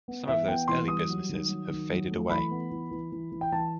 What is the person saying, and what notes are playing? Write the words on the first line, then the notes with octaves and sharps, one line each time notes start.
Some of those early businesses have faded away.
B3
E3 E5
B3 G5
E3 C6
G3 D#6
F#3
D#3
F#3
D#3
F#3
A3
E3 B5
B3
E3
E3
E3
E3
G5
E3 A5